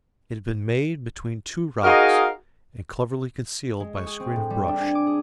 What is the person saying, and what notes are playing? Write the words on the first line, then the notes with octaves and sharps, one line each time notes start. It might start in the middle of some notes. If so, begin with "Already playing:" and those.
It had been made between two rocks, and cleverly concealed by a screen of brush.
D#4 F#4 G#4 A#4 D#5 F5
G#3
C#6
G#4
C4
A2
G3
D4
G#5
D6
G#4